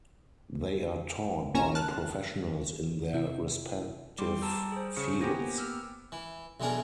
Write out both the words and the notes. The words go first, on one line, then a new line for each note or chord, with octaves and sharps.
They are taught by professionals in their respective fields.
A#1 C#4 G#5 A#5 E7
A5 F6 F#6
C3 E4
G3 G5 C6 D6
A5 A#5 E6
G#4 C5
C#3 C#6 C#7
A#3 B3 G4 C5 G#5 A#6
E6 F6
E3
B1 E3 D4 G#4 A#4